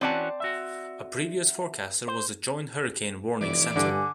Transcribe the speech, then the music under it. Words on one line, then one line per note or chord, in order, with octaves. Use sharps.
A previous forecaster was the Joint Hurricane Warning Center.
E3 C4 C#4 F#4 D5 A5
F#4 E5
C5
F1 E3 D5
G2 D3 G#5 D6